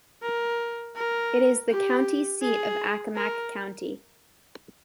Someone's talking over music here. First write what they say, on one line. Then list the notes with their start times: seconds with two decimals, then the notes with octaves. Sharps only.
It is the county seat of Accomack County.
0.22 A#4
0.96 A#4
1.69 G4
2.42 G#4
3.16 A#4